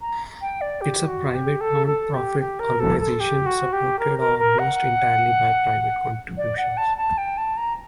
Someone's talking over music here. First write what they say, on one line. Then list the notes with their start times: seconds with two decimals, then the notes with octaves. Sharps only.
It is a private, non-profit organization, supported almost entirely by private contributions.
0.01 A#5
0.41 G5
0.61 D5
0.81 G4
1.07 F#4
1.34 G4
1.61 A4
1.87 A4
2.13 G4
2.40 G4
2.60 A#4
2.80 A4
3.00 A4
3.20 G4
3.46 F#4
3.73 G4
3.99 A#4
4.19 A#4
4.39 A#4
4.59 F#5
6.37 D5
6.58 F#5
6.77 A5
6.98 A5
7.18 G5
7.38 A5
7.57 A#5